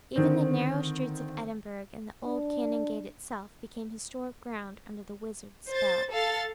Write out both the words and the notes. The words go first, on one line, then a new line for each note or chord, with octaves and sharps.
Even the narrow streets of Edinburgh and the old Canongate itself became historic ground under the Wizard's spell.
D3 D#3 C4
D4
C5 A6
A4 F5 A6